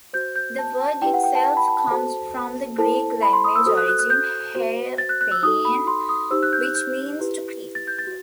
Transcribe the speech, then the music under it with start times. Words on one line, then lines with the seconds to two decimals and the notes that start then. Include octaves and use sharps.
The word itself comes from the Greek language origin "herpien," which means "to creep".
0.13 F#4 C5 G6
0.36 G6
0.58 A5
0.80 A5
1.02 E4 G4 B4 G5
1.14 F#5
1.23 G5
1.35 A5
1.46 A5
1.57 B5
1.68 A5
1.79 A5
1.91 F#4 A4 C5
2.78 E4 A4 C5 A5
3.22 B5
3.33 C6
3.44 D#6
3.56 E6
3.66 F#4 A4 C5 D#6
3.77 F#6
3.88 F#6
3.99 F#6
4.10 G6
4.55 F#4 C5
4.98 A6
5.09 F#6
5.21 F#6
5.32 E6
5.43 D#4 F#4 A4 D#6
5.65 B5
5.87 C6
6.09 D#6
6.31 D#4 G4 C5 E6
6.43 F#6
6.53 G6
6.64 F#6
6.75 G6
7.19 E4 G4 B4
7.75 A6
7.87 G6
7.99 A6
8.07 F#4